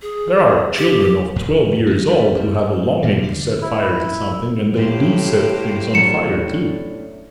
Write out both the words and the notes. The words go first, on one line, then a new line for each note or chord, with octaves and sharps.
There are children of twelve years old, who have a longing to set fire to something and they do set things on fire, too.
G#4
G4
F2 A2 C#3
D#3 F3
G3 A3 C#4
G3
G2 A#2 E3 G3
D3 D4
E4
A2 A#3 G4 C5
F#3 C#4 D4 C#7 E7